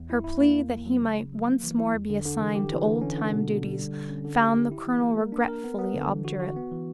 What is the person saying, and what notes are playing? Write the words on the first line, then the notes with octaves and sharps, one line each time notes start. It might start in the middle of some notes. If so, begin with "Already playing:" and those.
Her plea that he might once more be assigned to old-time duties found the colonel regretfully obdurate.
Already playing: E2
E4
E4
A#3
E2
E2
F#3
C#3
C#3
F#3
A#3
E3
E4
E2
D3
D3
E3
G4
E3
D3
C#4
D3
B2
B2
G3
D3
D3
C#4
D3
G4
G4
E4
E3
A#3
A#4
D4
A#4
B3
B3
D3
E3
F#4
F#4
B3
E3